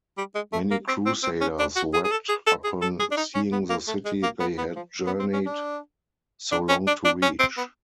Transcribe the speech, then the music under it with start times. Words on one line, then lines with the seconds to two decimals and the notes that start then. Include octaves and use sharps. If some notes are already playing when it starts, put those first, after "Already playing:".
Many Crusaders wept upon seeing the city they had journeyed so long to reach.
0.18 G3
0.35 G#3
0.53 A3
0.71 A#3
0.88 C4
1.06 C4
1.23 C4
1.41 C#4
1.59 D4
1.76 F#4
1.94 G#4
2.04 G#4
2.11 A4
2.29 G#4
2.47 A4
2.64 G#4
2.82 A4
3.00 G#4
3.11 D4
3.17 D#4
3.35 C#4
3.52 B3
3.70 A#3
3.88 A3
4.05 G#3
4.23 A#3
4.40 B3
4.58 B3
4.76 F3
5.06 B3
5.19 C4
5.33 C#4
5.46 D4
6.52 D4
6.69 C#4
6.87 D4
7.05 D4
7.22 C#4
7.39 C4
7.57 B3